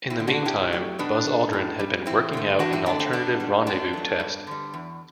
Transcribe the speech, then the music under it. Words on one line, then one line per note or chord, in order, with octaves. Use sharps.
In the meantime, Buzz Aldrin had been working out an alternative rendezvous test.
C4 E4
D3 A3
D4 F#4
B2 E4 G4
F#3 A3
B2 B3 D4
A3
A2
G3
E2 C4 E4
D3 A3
E2 D4 F#4
C4 E4
D3 A3 B3 D4
C4
B2 B3 D4
G3
F#2 B3 D4
F#3 A3
G2
D3 G3
E2